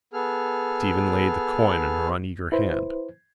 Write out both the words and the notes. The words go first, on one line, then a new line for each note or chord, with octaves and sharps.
Stephen laid the coin in her uneager hand.
B3 G#4 A4 F6
E4 B4 C5